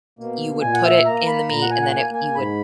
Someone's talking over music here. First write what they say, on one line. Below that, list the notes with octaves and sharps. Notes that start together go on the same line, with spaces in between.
you would put it in the meat, and then it you would
B2 A#3
A#2 G#5
F#5
E5
A#3 A#5
B5
A#2 A#5
F#5
G#5
F#5
A#3 G#5
G#5
G#2 B5